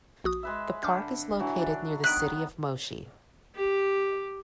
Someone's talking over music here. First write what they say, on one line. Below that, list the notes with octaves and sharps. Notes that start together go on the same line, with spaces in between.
The park is located near the city of Moshi.
A#1 F#4 D#6
G#3 B4 E5
D3 D6 F6 G6
D3 E3 F#3
D4
D#3 B3 F#6 B6 D7
G4